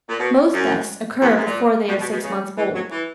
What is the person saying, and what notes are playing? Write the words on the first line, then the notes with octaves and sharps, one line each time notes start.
Most deaths occur before they are six months old.
A#2
B2
F#2
E2
F#2
G#2
A#2
B2
B2
B2
C#3
E3
F#3
E3